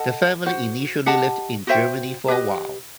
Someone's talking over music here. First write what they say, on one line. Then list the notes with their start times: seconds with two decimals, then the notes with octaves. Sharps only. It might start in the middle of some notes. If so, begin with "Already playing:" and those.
The family initially lived in Germany for a while.
Already playing: A4 D#5 F#5 A5
0.46 F#4 C5 F#5
1.06 G4 D#5 F#5 A5
1.67 F#4 C5 E5 G5
2.28 G4 B4 D#5